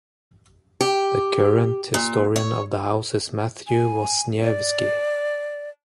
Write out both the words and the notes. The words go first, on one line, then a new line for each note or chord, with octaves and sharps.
The current Historian of the House is Matthew Wasniewski.
G4
A#2
C#5
G#5
D5